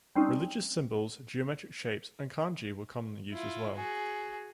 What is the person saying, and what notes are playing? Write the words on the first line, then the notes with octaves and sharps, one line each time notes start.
Religious symbols, geometric shapes and kanji were commonly used as well.
G3 C4 C#4 D#4
E4 F4
F#4 G#4